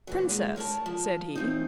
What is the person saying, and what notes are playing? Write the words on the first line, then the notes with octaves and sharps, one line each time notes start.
"Princess!" said he.
A#2 E3 F#3
G#3
A#4 C#5 F5 A5
F3
E3 C4 D#4